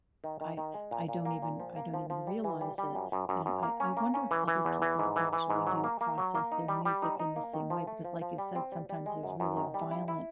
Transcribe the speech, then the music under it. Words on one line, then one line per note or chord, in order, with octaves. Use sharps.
I I don't even I don't even realize it, and I I wonder if other people actually do process their music in the same way, because like you've said, sometimes there's really violent
D#3
D#3
D#3
G#3
A#2
A#2
A#3
A#2
F3
A#3
F3
F3
G3
E3
G3
G3
F#2
F#2
F#2
F#2
A#3
C#4
A#3
C#4
E3
E3
E2
E3
G#2
E3
E3
G#2
F#3
A#3
A#3
F#3
A#3
D#4
G3
G3
D#4
D#4
A#3
D#3
F3
A3
F3
F3
G3
C4
G3
G3
G#3
F#2
F#2
D#3
G3
E4
E4